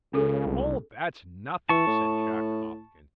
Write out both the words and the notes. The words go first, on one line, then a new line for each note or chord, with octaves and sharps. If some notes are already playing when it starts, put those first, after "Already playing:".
'Oh, that's nothing,' said Jack Hopkins.
C#2 C#3 D4 G#4 A4
C2
E3 A5 C#6
A2